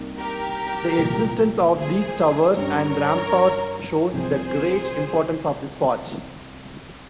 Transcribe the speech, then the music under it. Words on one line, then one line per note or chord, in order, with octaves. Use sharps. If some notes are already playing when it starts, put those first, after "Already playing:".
The existence of these towers and ramparts shows the great importance of this part.
Already playing: C2 C3 G3 A#3 D#4
G4 A#4
C2 A#2 F3
G#4 C5
G2 G3 C#4 A#4 C#5
C2 C3 F3 G#4 C5